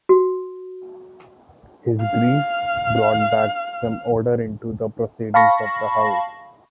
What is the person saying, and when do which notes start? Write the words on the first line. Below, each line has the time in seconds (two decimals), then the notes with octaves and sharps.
His grief brought back some order into the proceedings of the house.
0.09 F#4
2.00 F5 F6
5.34 F5 A5 B5 C#6 A#6